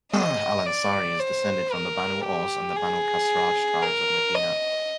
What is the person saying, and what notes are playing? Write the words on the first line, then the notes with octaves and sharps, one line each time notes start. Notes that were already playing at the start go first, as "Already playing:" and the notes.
Al Ansari is descended from the Banu Aws and Banu Khazraj tribes of Medina.
D#5
D5
C5
A#4
G4
G#4
A#4
D#5